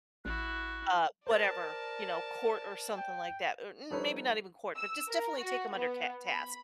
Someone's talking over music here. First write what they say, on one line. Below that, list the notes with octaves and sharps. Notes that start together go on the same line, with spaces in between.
uh, whatever, you know, court or something like that, or, um, or maybe not even court, but just definitely take them under cat task.
A1 E4 F#4 F#6
A#4 C5 D5 A5 A6
G5
F3 G3 D#4 A4 B4 C#5
E6
A#4
F#4
B3
B5